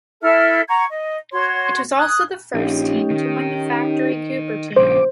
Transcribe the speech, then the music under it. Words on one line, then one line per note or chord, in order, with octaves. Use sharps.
It was also the first win for the factory Cooper team.
E4 A4 E5 F6
F#5 A#5 C#6 G#6
D#5
F#4 C#5 C6
D#6 F#6 G#6
A#1 C#4 D#4 G4
D#3
A#1 C#3 C5 D6